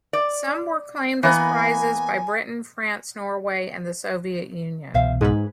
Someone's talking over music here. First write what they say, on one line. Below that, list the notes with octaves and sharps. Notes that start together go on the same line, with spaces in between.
Some were claimed as prizes by Britain, France, Norway and the Soviet Union.
D5
E3 A#3 B3 G#5
C2 B2 E3 C5 E5 F5
G#2 G#4 B4